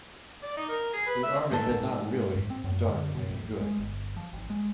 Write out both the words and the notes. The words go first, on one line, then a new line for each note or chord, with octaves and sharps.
The army had not really done him any good.
D5
D#4
A#4
G#4
B4
E5
G#2 A4
G#2
C4
F#2
D3
B2
A1
G#3
G1
F3
G#1
G#3